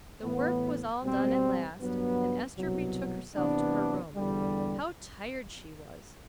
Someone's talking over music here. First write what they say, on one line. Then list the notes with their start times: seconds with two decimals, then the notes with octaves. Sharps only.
The work was all done at last, and Ester betook herself to her room. How tired she was!
0.23 A2 E3 B3
1.02 B2 G3 C4
1.80 G2 F#3 B3
2.58 C2 B2 F#3
3.36 C3 E3 B3 D4
4.15 E2 D3 G3